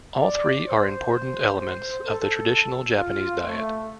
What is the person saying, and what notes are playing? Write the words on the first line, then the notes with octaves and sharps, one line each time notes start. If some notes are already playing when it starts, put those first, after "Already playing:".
All three are important elements of the traditional Japanese diet.
D5
C5
C5
A4
F4
A3